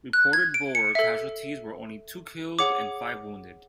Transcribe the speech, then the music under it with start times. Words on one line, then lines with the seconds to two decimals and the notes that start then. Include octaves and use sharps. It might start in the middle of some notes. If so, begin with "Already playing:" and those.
Reported Boer casualties were only two killed and five wounded.
0.13 F#6
0.33 G#6
0.54 D7
0.75 C#7
0.95 A4 E5
2.59 G#4 C#5 F#5 D6